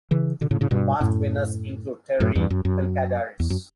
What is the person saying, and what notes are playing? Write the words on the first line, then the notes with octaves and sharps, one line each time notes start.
Past winners include Terry Pilkadaris.
C#3 E3
B2 D3
A2 C#3
A2 C#3
G2 B2
F#2 A2
F#2 A2
E2 G2
F#2
F#2
E2
F#2